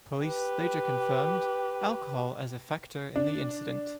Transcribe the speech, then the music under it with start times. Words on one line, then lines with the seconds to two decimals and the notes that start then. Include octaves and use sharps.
Police later confirmed alcohol as a factor in the accident.
0.24 G4 B4
3.16 D4